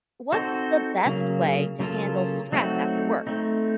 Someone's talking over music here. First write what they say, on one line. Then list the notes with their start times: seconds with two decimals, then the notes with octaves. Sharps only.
What's the best way to handle stress after work?
0.32 C4 D#4 F#4 A4 C5
1.06 C#3 F#3 A#3
1.80 C#3 F#3 A#3 F4 A4
2.52 F#3 A3 C4 D#4 F#4
3.27 A3 C4 D#4